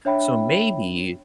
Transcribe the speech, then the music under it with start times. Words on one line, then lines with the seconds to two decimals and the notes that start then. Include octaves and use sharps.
So maybe
0.05 D4 C#5 E5 G5 B5